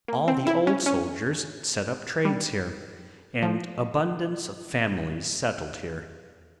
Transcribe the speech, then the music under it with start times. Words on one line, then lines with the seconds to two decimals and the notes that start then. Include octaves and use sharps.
All the old soldiers set up trades here, and abundance of families settled here.
0.08 A#3
0.28 C4
0.47 E4
0.67 C#4
0.86 C#4
2.25 G3
3.43 F3